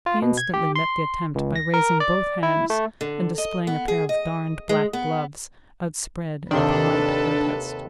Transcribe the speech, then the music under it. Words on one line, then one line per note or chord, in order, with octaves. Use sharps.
He instantly met the attempt by raising both hands, and displaying a pair of darned black gloves outspread in polite protest.
F4
B2
G#6
G4
C6
C#2
A#6
A#4
D5
E4
A3
D3
D#5
B3
G#4
D#5
G#3
B3
D#2 C3 D#3 D4 A4 B4